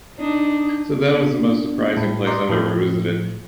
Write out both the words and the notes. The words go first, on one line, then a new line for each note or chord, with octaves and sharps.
So that was the most surprising place I've ever visited.
D4 D#4
B3 D4
A2
D5 D#5 A#5 C6 D6
A2 F3